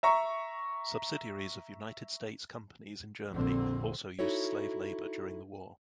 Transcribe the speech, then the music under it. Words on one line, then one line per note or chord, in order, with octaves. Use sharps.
Subsidiaries of United States companies in Germany also used slave labor during the war.
E5 A#5 C#6
A#1 F2 A#2 D3 C4
D#4 E4 F#4 A4 C#5